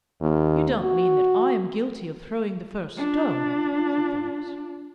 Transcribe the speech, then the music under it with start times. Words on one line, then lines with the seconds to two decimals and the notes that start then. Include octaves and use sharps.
"You don't mean that I am guilty of throwing the first stone?" said Phineas.
0.21 D#2
0.82 F#4
2.96 D4 F4